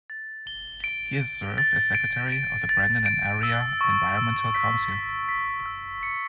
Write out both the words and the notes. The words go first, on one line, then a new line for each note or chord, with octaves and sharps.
He has served as secretary of the Brandon and Area Environmental Council.
A6
G7
D7
D7
A6
D7
D7
A6
D7
E6
C#6
E6
B6
B6
B6
E6
C#7